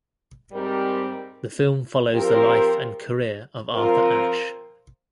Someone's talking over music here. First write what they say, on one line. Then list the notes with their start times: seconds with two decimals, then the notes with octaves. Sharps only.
The film follows the life and career of Arthur Ashe.
0.51 G#2 G3 C4 G4 A#4
2.11 F3 C4 G4 A#4
3.73 F3 C4 F4 A#4